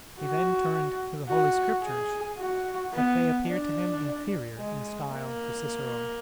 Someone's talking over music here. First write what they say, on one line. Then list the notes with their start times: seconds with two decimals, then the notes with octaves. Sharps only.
He then turned to the Holy Scriptures, but they appeared to him inferior in style to Cicero.
0.20 F#4
1.29 F#4
1.84 G#4
2.39 F#4
2.93 B3
3.48 D4
4.57 G#3
5.12 A#3